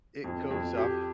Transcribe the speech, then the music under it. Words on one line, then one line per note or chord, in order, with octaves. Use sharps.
It goes up
F2
F2
G4